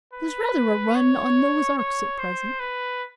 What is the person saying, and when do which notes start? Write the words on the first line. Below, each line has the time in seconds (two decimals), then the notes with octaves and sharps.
There's rather a run on Noah's Arks at present.
0.13 B4
0.95 C#5
1.78 C#5
2.19 C5
2.60 B4